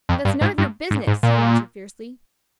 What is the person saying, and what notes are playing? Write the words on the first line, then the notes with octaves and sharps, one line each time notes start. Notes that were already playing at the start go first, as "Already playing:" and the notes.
"That's none of your business," he answered, fiercely.
F2
G2
G#2
G2
G#2
G#2
A#2